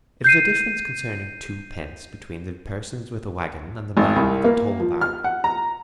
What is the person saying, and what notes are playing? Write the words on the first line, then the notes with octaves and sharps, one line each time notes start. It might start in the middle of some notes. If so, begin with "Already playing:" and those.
It was a difference concerning twopence between the persons with the waggon and the man at the toll-bar.
G6 C7 D#7
G#1
C2
A#3
F3
F6
F#5
A#5